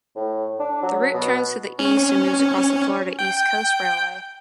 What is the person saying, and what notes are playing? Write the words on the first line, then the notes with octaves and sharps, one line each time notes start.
The route turns to the east and moves across the Florida East Coast Railway.
A2
D4
F#3
B2
C#4
G5